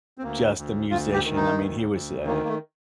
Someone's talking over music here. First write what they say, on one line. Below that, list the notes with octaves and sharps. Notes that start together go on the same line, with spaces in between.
just a musician, I mean, he was a
C4
D2 A#3
D2
D2 F4
G4
D#3
D#4
D2
D2
D#3 A#3
A#3
A3